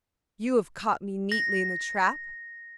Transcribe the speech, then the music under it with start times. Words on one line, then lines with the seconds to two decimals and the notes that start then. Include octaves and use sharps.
You have caught me neatly in a trap!
1.32 A#6